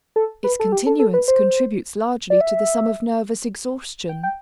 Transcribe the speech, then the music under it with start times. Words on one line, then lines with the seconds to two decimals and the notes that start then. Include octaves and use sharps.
Its continuance contributes largely to the sum of nervous exhaustion.
0.16 A4
0.44 B4
0.60 A4
0.72 G4
0.87 A4
0.99 A4
1.14 B4
1.28 C5
2.30 D5
2.41 E5
4.09 G5
4.23 G5